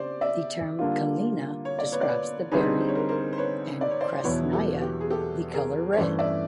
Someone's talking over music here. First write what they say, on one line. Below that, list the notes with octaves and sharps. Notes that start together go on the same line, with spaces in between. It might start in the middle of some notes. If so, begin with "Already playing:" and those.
The term "kalina" describes the berry and "krasnaya" the color red.
Already playing: C#3 G4 C5 D5
D5 E5
D3 G3 A#3 D4 F4
C#5
D5
B4 C#5
D5
B4 C#5
D3 G3 C4 D#4 G#4 B4 C#5
C5
C#5
A#4 C5
A#4 C5
C5
B4 C#5
D5
C#5
C5 D5
C5
E2 B2 F#3 B3 E4 B4 C#5
G4 A4
G4
G#4
G4 A4
G#4 A#4
C#5
G2 E3 A3 C#4 C5 D5
D5 E5